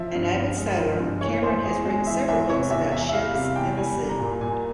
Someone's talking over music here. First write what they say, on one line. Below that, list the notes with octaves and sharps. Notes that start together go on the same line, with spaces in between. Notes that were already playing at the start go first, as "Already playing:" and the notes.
An avid sailor, Cameron has written several books about ships and the sea.
Already playing: F3 E5
G2
G2
G#3
F3
G2
E3 C#5
E2 C5
E2 G#4
G#3 G#4
E3 E5
E2 E5
C3 C#5
E2 E5
E2 E5
E5
G3 F5
C3 F5
E2 G5
G3 G#5
G3
A#5
A#2
A#2 G#5